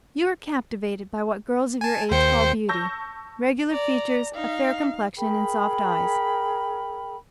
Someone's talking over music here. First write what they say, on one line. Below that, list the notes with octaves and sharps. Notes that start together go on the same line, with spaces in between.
You are captivated by what girls of your age call beauty, regular features, a fair complexion and soft eyes.
G#5 A5
D#2 C5 G5 C#7
A5 C#6 E6 G6 A#6
D5 A#5
D#4 F5
G#4 A#4 G5 B5